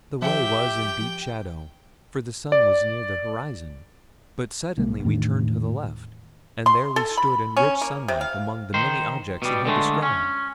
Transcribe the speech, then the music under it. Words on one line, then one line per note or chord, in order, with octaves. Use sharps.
The way was in deep shadow, for the sun was near the horizon; but suddenly we turned to the left, and there we stood in rich sunlight, among the many objects he had described.
F3 G4 E5 G5
D5
B1 G#3 A#3
E2 A2 D#3 D4
C6
A4
B5
C#4
A#3
C3
F5
D#3 C5
B2 G3
D3 G#3 A3
C#4